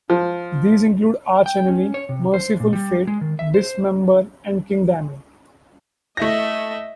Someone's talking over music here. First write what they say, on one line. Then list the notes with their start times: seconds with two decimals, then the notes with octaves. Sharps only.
These include Arch Enemy, Mercyful Fate, Dismember and King Diamond.
0.10 F3
1.46 G5
1.68 C#4
1.94 C#5
2.09 C3
2.34 C5
2.60 A#2
2.73 G3
3.07 G#3
3.21 D#3
3.39 E5
3.54 C5
6.17 A3 E4 D#5 E5 A#6